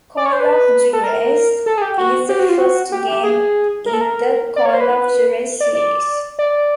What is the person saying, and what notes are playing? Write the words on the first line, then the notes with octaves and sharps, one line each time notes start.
"Call of Juarez" is the first game in the "Call of Juarez" series.
D5
C#5
C5
B4
A4
A#4
A4
G#4
G4
F#4
G4
F#4
F4
F#4
G4
G4
G#4
A#4
A4
A#4
D5
C#5
C5
B4
D5
D5
D5